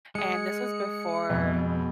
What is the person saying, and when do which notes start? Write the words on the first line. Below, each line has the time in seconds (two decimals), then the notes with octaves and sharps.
And this was before,
0.15 G#3 G#4 C#7
1.30 F2 B2